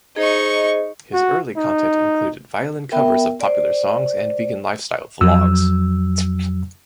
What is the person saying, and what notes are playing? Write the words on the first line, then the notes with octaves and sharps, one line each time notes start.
His early content included violin covers of popular songs and vegan lifestyle vlogs.
D#4 G#4 C5 D#5 C#6
F#4
D#4
B3 A#4 E5 G5
C5 D5
F2 F#3 E6